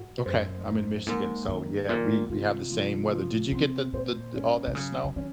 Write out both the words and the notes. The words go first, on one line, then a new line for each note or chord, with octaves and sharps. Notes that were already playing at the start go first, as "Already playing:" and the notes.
Okay, I'm in Michigan, so, yeah, we we have the same weather. Did you get the the all that snow?
Already playing: G#2 F#4
F#2 C5
D#4
G#2 A#3
G#2 D#3
A#2 D#3
C3 F4
F3
F3
C3 C4
A#2 C5
G#2 C#4
C3
C#3 F#3
C#3
D#3 C#4